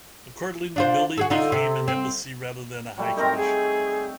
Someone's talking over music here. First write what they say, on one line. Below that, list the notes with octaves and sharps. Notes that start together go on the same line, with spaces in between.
Accordingly, the building became an Embassy, rather than a High Commission.
D4 F4 C5
F#4 G#4 A4
D3 D#4 F4
C3
C4
F#3 G3 A3
C4 D#4 A#4
G#4